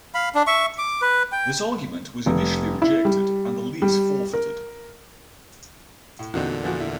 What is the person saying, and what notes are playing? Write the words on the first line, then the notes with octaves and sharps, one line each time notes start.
This argument was initially rejected, and the lease forfeited.
F5 B5
D4
E5 C#6
D6
B4
G5
F1
E4
G3
G3
A#4
A2
E2 A#2 D3 C4 D#4 F#4
E3 F3 F#4
E4